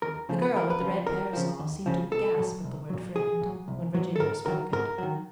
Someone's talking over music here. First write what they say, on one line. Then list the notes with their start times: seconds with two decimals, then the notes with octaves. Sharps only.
The girl with the red parasol seemed to gasp at the word "friend," when Virginia spoke it.
0.02 D#2 A#4
0.29 C#3 F3
0.42 B4
0.54 D#2 A#4
0.70 B4
0.80 C#3 F3
1.07 D#2 A#4
1.33 C#3 F3
1.59 D#2
1.86 C#3 F3
2.12 C2 A4
2.38 A#2 F#3
2.64 C2
2.90 A#2 F#3
3.16 C2 G#4
3.41 A#2 F#3
3.68 C2
3.94 A#2 F#3
4.16 A4
4.20 G#2 A#4
4.46 D#3 F#3 A#4
4.73 G#2 A#4
4.98 D#3 F#3